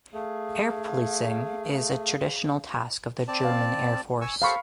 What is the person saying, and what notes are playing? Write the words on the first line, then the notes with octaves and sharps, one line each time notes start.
Air policing is a traditional task of the German Air Force.
A3 G#4 F5
C4 D5 A5
F5
G#5 C#6 E6
G4 A4 C5 F5 B5 C#6